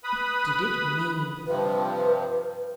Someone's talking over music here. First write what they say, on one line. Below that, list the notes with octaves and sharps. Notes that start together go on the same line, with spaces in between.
What did it mean?
B4 B5 D#6
G2 C3 F3 B4